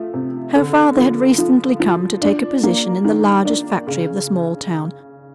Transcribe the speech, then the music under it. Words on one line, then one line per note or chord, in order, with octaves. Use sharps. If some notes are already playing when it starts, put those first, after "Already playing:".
Her father had recently come to take a position in the largest factory of the small town.
Already playing: F3 A3
C3
D3
F3
F3
F3
D4
A#3
D#3
D4
C#3